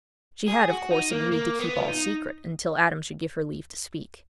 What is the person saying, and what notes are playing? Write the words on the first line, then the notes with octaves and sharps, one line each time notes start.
She had, of course, agreed to keep all secret until Adam should give her leave to speak.
G#4
F#4
D#4
A#3
A#3
B3
F4
D#4